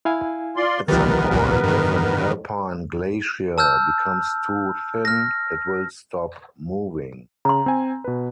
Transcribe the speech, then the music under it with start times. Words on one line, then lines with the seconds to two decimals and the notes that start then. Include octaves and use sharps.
At some point, if an Alpine glacier becomes too thin it will stop moving.
0.05 E4 F5 G#5
0.57 F4 D5 C6
0.88 C2 D#3 F3 B3 G4 A#4 B4 A6
1.31 G#1 C#2 A#2
1.64 G2 D#3
3.58 A5 E6 F6 G6
5.05 F6 A#6
7.45 C#3 A#5 C6
7.66 C4 G#5
8.04 B2 B4